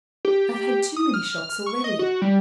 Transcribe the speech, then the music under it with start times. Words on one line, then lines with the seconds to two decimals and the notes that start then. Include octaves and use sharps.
I have had too many shocks already.
0.25 G4
0.96 D#6
1.14 F6
1.66 C#6
1.84 D#5
1.99 F#4
2.22 G3